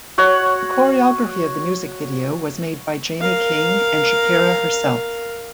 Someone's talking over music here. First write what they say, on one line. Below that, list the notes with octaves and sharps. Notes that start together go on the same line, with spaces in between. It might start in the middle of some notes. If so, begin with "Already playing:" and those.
The choreography of the music video was made by Jamie King and Shakira herself.
F#4 C#5 F#5
A#4 F5